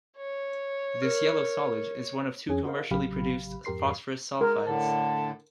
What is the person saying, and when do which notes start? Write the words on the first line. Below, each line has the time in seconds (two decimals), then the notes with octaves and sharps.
This yellow solid is one of two commercially produced phosphorus sulfides.
0.17 C#5
1.02 A#4 F6
2.49 F2 C#4 G#4 G#5
2.65 F#4 G#4 A#4 C5 D#5 F5
2.91 A1 C#3 F#3 G4 F5 B5
3.65 F2 G#2 G4 A#4 C6 C7
4.41 G#3 A#4
4.67 A2 D3 A4